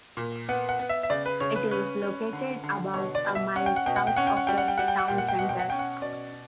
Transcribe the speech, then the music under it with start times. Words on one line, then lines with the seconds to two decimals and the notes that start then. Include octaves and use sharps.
It is located about a mile south of the town centre.
0.17 A#2
0.49 B3 F#5
0.69 F#5
0.79 B3
0.89 E5
1.03 E5
1.10 C#3 D5
1.26 B4
1.40 C#3 C#5
1.56 B4
1.71 C#4 B4
2.02 C#4
2.33 D3
2.64 D3
2.94 B2 C#5
3.15 D5
3.25 B2
3.35 E5
3.55 C#4 F#5
3.66 G5
3.76 F#5
3.86 B2 G5
3.96 F#5
4.07 G5
4.16 C#4 F#5
4.27 G5
4.37 F#5
4.47 G3 G5
4.58 F#5
4.68 G5
4.78 G3 F#5
4.88 G5
4.99 F#5
5.08 A#2 G5
5.18 F#5
5.28 G5
5.39 B2 F#5
5.49 G5
5.59 F#5
5.70 C#4 G5
5.79 F#5
6.02 B2 D5